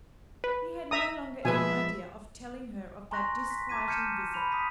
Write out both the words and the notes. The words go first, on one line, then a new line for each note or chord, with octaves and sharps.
He had no longer any idea of telling her of that disquieting visit.
B4
E5 A#5 D#6
B2 F3 G#3 B4 E5 G#5
G#5 A#5 C6 C#6 F#6 A#6
B6
A5 A#5 D6 G#6 B6 D#7
F6 G6 G#6 C#7 D#7 E7
B5 F7
D#6 B6 D#7